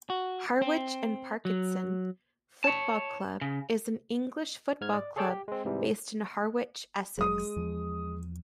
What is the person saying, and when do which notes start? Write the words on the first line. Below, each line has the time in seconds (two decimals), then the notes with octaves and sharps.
Harwich and Parkeston Football Club is an English football club based in Harwich, Essex.
0.10 F#4
0.62 C4
1.45 F#3
2.64 C#5 A5
3.41 C#3
4.81 G#2 F6 G#6
4.94 D5
5.16 G#4 A4 C#5 D5 G5 A5
5.30 G4
5.48 G#3 C4
5.65 G#2 C3 E3 G3
7.17 F1 F#3 G#3 D#6
7.56 E2 F3